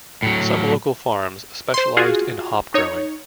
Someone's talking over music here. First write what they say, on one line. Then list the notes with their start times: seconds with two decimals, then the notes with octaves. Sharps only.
Some local farms specialised in hop growing.
0.23 A2 F#3
1.74 C5 C6
1.97 F4 F#4 G#4
2.74 D#4 C#5